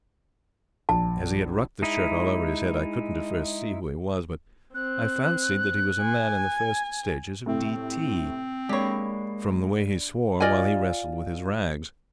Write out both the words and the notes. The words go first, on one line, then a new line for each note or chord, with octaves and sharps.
As he had rucked the shirt all over his head, I couldn't at first see who he was, but I fancied that he was a man in the first stage of D. T. from the way he swore while he wrestled with his rags.
A#1 A5
G#3 D#4 E4
C4 F#6
G#5
A2 C3 A3 C4
G#3 A#3 D4 G4 C#5 B5
F4 D5 D#5 G#5